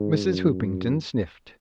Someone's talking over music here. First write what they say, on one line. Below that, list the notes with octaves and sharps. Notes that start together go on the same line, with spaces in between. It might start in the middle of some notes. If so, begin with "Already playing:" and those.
Mrs. Hoopington sniffed.
Already playing: G#2
F#2